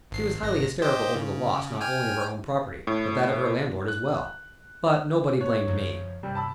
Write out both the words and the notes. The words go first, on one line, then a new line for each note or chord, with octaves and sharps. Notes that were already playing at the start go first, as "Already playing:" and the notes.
She was highly hysterical over the loss not only of her own property but that of her landlord as well, but nobody blamed me.
G#1 C7
G#1 A#6
G4 C5 D#5
C#3
G5 G#5 F6
A2
F#6
C#5 F#6
F#2 C#3 F3
G2 C3 G3
A5 B5 E6